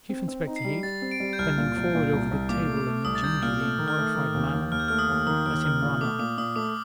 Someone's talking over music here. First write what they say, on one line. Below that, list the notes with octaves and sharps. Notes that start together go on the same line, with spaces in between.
Chief Inspector Heat, bending forward over the table in a gingerly and horrified manner, let him run on.
C4
C4
D#4
C7
G3
G3 A6
C4
D7
G3
G6
C2 F6
A#2
C2
A#2
C2
C2
A#2 D6
A3
D6
A3
C2 D#6
A6
C2 G6
A#2 F6
A3 F6
D#3
F6
A3
D#3
D#2
D#2
D#2 F6
G6
A3 F6
D#6
D#2
D#3 D#6
D#2 F6
D#3 F6
A#2
A3 D6
A#2 D6
A#2 D#6
A3 D6